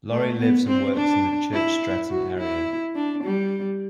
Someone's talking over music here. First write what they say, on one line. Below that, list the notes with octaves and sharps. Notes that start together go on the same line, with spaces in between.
Laurie lives and works in the Church Stretton area.
A3
B3
C4
D4
E4
F#4
E4
D4
G3